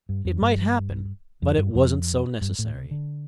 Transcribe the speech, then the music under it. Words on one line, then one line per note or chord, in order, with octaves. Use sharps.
It might happen, but it wasn't so necessary....
G2
F2
G2
F2
G2
F2
G2
A2
C3
D3